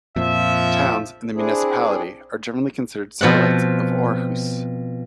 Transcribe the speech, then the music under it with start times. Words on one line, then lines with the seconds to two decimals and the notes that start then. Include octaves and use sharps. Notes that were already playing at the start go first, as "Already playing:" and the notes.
Towns in the municipality are generally considered satellites of Aarhus.
0.16 F2 A#2 F3 E5
1.35 C4 D4 E4 G#4
3.21 B2 F3 C4 F#5